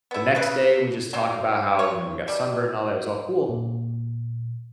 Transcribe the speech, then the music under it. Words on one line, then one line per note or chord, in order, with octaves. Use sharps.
The next day, we just talk about how, you know, we got sunburned and all that, it was all cool.
B3 E4
C#3 B4
F#3 C4 D#4
C#5
G3
A#2